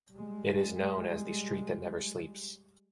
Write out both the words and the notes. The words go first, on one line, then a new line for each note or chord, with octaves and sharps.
It is known as the street that never sleeps.
G3 G#3